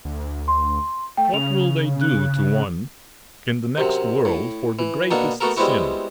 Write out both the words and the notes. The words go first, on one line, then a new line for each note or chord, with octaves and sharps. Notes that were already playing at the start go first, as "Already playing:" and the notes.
What will they do to one in the next world for the greatest sin?
D2
C6
A3 G5
C#3 F7
F#6
F#2 C3
A2
E3
B2 A#3 B3 D4 A4
A3 B3 F#4 A4 A#4
G3 G#3 B3 C4 E4 F#4